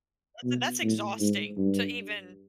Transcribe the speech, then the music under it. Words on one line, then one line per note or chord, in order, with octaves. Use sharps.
That's e that's exhausting to even
B2
A2
G#2
G2